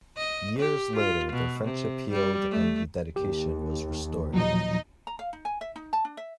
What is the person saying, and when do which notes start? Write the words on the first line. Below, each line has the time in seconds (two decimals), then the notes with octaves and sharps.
Years later, their friendship healed and the dedication was restored.
0.17 D#5
0.59 G4
0.96 F4
1.33 B2
1.64 C3
2.11 G3
2.50 A3
3.16 D#2 G4
4.34 A#2 F3 F#3 D#4 D#5
5.07 A#5
5.19 F5
5.33 D#4
5.45 G#5
5.61 E5
5.76 D#4
5.93 A5
6.05 D4
6.17 E5